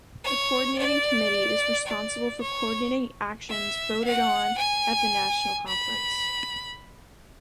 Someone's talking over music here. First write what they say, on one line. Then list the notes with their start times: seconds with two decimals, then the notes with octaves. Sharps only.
The coordinating committee is responsible for coordinating actions voted on at the national conference.
0.24 C#5
0.78 D5
1.87 D5
2.41 C#5
3.50 E5
4.04 F#5
4.58 G#5
5.67 B5